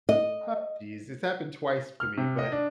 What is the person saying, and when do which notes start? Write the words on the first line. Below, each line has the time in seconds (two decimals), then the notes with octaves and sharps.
"Oh, jeez," it's happened twice to me, but
0.09 D#5
2.00 F6
2.18 C3
2.39 D#5
2.52 D4